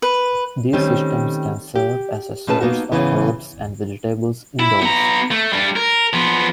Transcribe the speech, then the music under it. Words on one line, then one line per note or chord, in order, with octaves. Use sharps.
These systems can serve as a source of herbs and vegetables indoors.
B4
D#3 G3 A3 C4 C#4
G4
B2 A3 C#4 G#4 B4 A5
A#3 B3 D#4 F#4
G#2 C#3 E3 B3 E4
E4
B3 A#5
A3
G3 D4
A#4
F3 B3